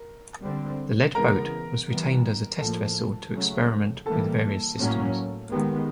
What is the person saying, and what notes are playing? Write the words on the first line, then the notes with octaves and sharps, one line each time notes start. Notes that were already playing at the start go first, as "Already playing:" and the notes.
The lead boat was retained as a test vessel to experiment with various systems.
Already playing: A#4
D3 G3 C4
C#3 E3 G#3 B3 A#4 A#5
E3 G3 B3
A2 F3 A#3 A4 A5
C#3 F#3 A3 C#4
E3 G3 A#3 A4 A5
A2 F#3 A#3 C#4
D#3 G#3 B3 G4 G5